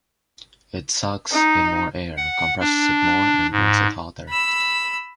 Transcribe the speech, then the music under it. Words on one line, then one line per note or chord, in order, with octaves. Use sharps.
It sucks in more air, compresses it more, and burns it hotter.
D#4
F#5
D4
G#2
B5 E6